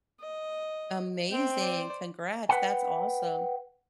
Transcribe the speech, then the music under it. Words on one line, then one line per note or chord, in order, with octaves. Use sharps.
Amazing, congrats, that's awesome.
D#5
C4 G5
C5 D5
B4 F#5 G5